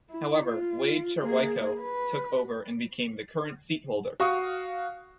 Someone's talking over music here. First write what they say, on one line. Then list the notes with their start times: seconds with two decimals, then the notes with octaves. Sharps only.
However Wade Cherwayko took over and became the current seat holder.
0.11 E4
0.44 F4
1.21 A#3 G#4
1.81 B4
4.20 F#4 F5 C#6 D#6